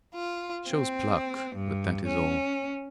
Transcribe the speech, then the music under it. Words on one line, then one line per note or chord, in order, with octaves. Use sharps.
It shows pluck, but that is all.
F4
C4
G2
C#4